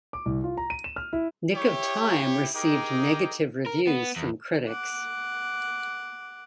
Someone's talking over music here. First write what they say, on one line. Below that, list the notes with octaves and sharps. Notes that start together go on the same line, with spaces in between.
"Nick of Time" received negative reviews from critics.
D6
C2
F4
A#5
D#7
E7
F6
E4
E4 G4 C#5
D#4 G4 G#4 A#4 G5 D6
A#4
B3
E2
F#5 D6